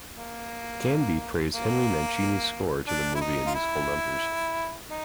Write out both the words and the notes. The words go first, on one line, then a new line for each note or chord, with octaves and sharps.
Canby praised Henry Mancini's score to the movie and musical numbers.
A#3
A#3
D4
E4
D#4
F4
E4
D#4